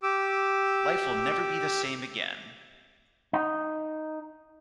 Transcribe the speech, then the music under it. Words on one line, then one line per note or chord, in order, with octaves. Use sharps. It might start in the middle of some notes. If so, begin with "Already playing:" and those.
Life will never be the same again.
G4 D6 E6
D#4